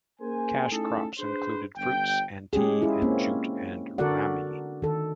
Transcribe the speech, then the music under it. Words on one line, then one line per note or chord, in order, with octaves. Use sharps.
Cash crops included fruits and tea and jute and ramie.
A#3 C#4 G#4 A#4 C5 G#5
A3 C#4 D#4 E4 G#4 A4
D4 G#4 B4 C5
G1 G5
G#3 C#4 G4 G#4
C#4 E4 F4 G#4
A#3 C4 C#4
D3 F#4 A4 A#4 D5 F#5
D#3 A4